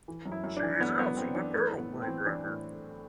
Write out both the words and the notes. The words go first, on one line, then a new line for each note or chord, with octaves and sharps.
She is also a Perl programmer.
E3
F#2
E4
F#2
D4
E3
E3 B3
F#2 B3
F#2 C4
E3 D4
E3 A3
A2
B3
A2
C4
E3
E3 D4
A2